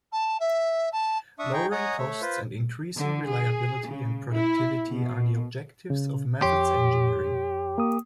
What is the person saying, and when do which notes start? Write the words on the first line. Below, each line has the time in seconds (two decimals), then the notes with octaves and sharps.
Lowering costs and increasing reliability and productivity are the objectives of methods engineering.
0.12 A5
0.40 E5
0.92 A5
1.39 D4 E5 C#6 D#6
1.53 D#4 G#4 G5 A#5 C#6
1.72 C#5 D#5 F#5 G#5 A#5 D#6
1.98 A3 C#5 E5
2.22 F4 B4 C5
2.96 D3
3.30 G#4
3.87 C#3
4.32 E4
4.87 B2
5.90 C#3
6.42 F2 G4 C#5 C6
7.78 A#3 D#6